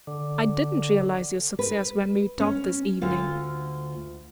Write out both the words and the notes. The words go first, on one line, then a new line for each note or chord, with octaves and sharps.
I didn't realise your success when we talked this evening.
D3
B4
C#4
D2 F4